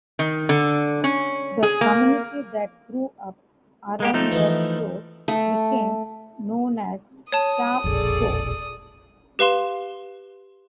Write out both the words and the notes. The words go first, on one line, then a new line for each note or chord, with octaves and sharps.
The community that grew up around the store became known as Sharpe's Store.
D#3
D3
C#4
G#4
A#3
G#3 A#3 G4
F3 A3 D#4
D#3 E3
A3
C#5 A5 D#6
E1 A#1 F2 G#4 A4 D5
G4 B4 F5 C6 E7